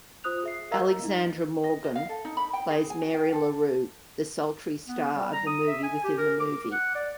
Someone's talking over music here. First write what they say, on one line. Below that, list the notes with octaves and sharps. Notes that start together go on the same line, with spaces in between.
Alexandra Morgan plays Mary LaRue, the sultry star of the movie within the movie.
F4 C5 D#6 F#6 F7
G#4 E5 C7
A#4 D#5 F5 A#5 E6
D#4 E4 D#5
D#5
D#5
F5
A4
D#4
B5
G5
G#4
G#5
F#4
G5
A4
B3
G3
A#5
D#6
E5
G#5
G4
A#4
D6
F#5
D5